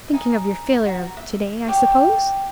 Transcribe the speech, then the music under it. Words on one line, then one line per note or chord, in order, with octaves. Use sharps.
"Thinking of your failure of to-day, I suppose?"
D#4 G#5
F#4 A#5
E5
G4 C#5